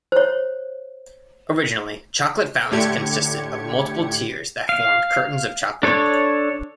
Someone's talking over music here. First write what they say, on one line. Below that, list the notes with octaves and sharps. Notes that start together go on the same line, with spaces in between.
Originally, chocolate fountains consisted of multiple tiers that formed curtains of chocolate.
C5 C#5
A2 D3 G4 G#6 C#7
F5
D4 A4 C#5